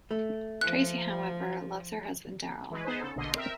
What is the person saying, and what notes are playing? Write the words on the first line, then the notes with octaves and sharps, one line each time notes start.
Tracey, however, loves her husband, Darryl.
A3
F3 F#6
E3 G#3 B4
B3 D#4 G#4 B4 C5
C#3 A4
A#1 B2 D3 D#5 C6
C4 A#4 E5